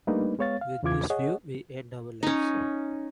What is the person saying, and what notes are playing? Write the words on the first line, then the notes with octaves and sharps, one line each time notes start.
With this view we end our lives.
G3 A3 A#3 D4 D#4 B4
G#3 B3 C#5 F5 A6
F5
E2 C#3 E3 F4 D6 G#6
G#4 C#5 D#5 F#5
C#4 D#4